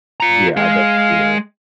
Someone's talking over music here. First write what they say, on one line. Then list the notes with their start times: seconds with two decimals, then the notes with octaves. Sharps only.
Yeah. I def yeah.
0.20 F4 A#5
0.57 G#3 G#4 F5